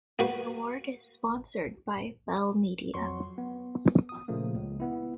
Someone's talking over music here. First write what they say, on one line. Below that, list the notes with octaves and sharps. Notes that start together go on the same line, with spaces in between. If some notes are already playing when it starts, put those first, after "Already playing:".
The award is sponsored by Bell Media.
A#3 F#4 B4
F2 F#3 C6 C#6
B3
D#6
A#2 C#3 F3 A3 A#3
C#2
B3 E4